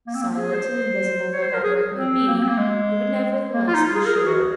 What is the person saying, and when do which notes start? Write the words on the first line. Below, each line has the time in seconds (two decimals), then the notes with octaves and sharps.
Silent and invisible though that work may be, it would nevertheless be sure.
0.07 A#3
0.14 C4
0.22 A#3
0.38 G#4
0.53 C5
1.33 C#5
1.42 C5
1.54 A#4
1.63 G#4
1.95 C4
2.27 A#3
2.38 A#3
2.42 C4
2.48 A#3
2.58 G#3
3.53 A#3
3.68 F4
3.74 D#4
3.85 F4
3.95 G#4
4.06 A#4
4.16 G#4
4.26 F#4
4.37 F#4